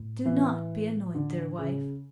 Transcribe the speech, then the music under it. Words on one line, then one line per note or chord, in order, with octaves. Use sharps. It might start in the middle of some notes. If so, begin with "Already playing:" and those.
'Do not be annoyed, dear wife.
Already playing: A2
E3
D3
C#3